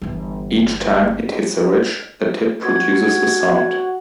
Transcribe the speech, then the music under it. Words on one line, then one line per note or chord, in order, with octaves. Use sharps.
Each time it hits a ridge, the tip produces a sound.
G1 E3
F#4 G#6